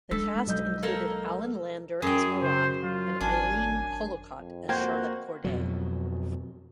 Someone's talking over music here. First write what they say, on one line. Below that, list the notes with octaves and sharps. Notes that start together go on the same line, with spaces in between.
The cast included Alan Lander as Marat and Eileen Colocott as Charlotte Corday.
G#3 D4 A4 E6 B6
B1 D#5 G6
A#3 A4 A#4
F#2 G#4 G5
C#3 C5
F#3 F4
G#1 D4 G#5
F2
A#3 F#4 C5 G5 G#6
F2 B2 F#3